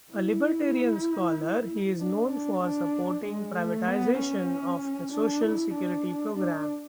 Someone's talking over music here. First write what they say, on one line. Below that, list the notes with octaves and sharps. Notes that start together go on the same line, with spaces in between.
A libertarian scholar, he is known for supporting privatization of the Social Security program.
E4
D4
D4
D4
G#3
A3
B3
C#4
D4
E4
D4
D4